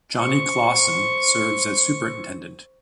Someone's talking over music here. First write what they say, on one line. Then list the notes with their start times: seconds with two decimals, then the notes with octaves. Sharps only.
Johnny Clawson serves as Superintendent.
0.16 C5 C#6